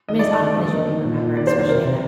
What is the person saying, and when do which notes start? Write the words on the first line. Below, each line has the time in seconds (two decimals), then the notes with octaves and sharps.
mean, as often as you can remember, especially in that
0.09 D#3 D#5
0.19 D5
0.25 D#3
0.31 A5
0.41 D3
0.57 D3 D#5
0.73 A#3
0.89 D#3
1.04 A#2
1.21 A#2
1.37 D#3 D5
1.47 C5
1.52 D#3
1.59 C5
1.69 C3 A#4
1.85 C3